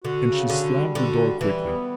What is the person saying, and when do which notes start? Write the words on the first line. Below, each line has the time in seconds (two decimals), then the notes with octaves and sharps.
And she slammed the door quickly.
0.04 D3 F#4
0.27 C#3
0.49 D3 F#4
0.73 G3
0.95 D3 F#4
1.18 G3
1.41 E3 G3
1.64 B3